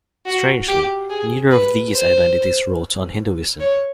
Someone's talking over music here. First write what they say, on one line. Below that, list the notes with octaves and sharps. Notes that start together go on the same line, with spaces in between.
Strangely, neither of these identities wrote on Hinduism.
F#4
G4
G#4
B4
C5
C#5